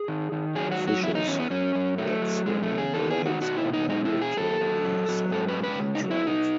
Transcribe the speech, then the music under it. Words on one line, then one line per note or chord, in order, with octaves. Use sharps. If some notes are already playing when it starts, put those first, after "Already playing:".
Fishes that swim in the lakes are migratory salmon and trout.
Already playing: G#4
D#3
D#3
F#3 G#4
F#4
F#3
F#4
E2 E4
D#4
E2 C#4
B3
F#2 C#4
F#2
F#3 A3
F#3
F#2 G#3
A3
C#3
G#4
E2 A4
G#4
D#3
F#4
B2 F#4
E4
B2
D#4
G#3 D#4
E4
B2
G#4
F#2 A4
F#2
F#3
F#3
G#2 A4
B4
G#3
B4
C#3
D#4
F#3
E4
B2 D#4